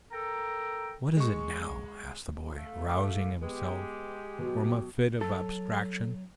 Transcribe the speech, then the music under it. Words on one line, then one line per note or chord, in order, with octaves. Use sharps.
"What is it now?" asked the boy, rousing himself from a fit of abstraction.
A4 A#4 G5 A#5
G#3 C#6
A3 F5
D6
G#3 B3 G4
B2 F#3
F#3 A4